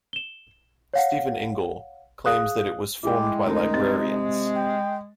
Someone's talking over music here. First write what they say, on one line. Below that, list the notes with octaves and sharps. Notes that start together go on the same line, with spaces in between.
Stephen Ingle claims that it was formed by Librarians.
E7 G7
C#5 F5 F#5
G#4 F5 D#6 F#6
G#3 E4 G#4 G5 D6
D2 C#4 D#4 A#4
C3 A6
G5